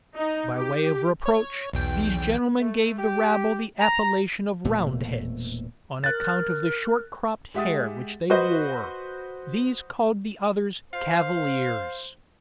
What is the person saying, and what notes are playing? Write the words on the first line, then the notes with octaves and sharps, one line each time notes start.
By way of reproach, these gentlemen gave the rabble the appellation of Roundheads, on account of the short cropped hair which they wore: these called the others Cavaliers.
D#4
G4
C#5
B1 E2 G5
A3
G4
A#5
E1 A#2 A3
A#4 F#6 A6
G#3 G4 E5 F#5 D#6 A6
F#4 B4 C5 D#5
C5 F5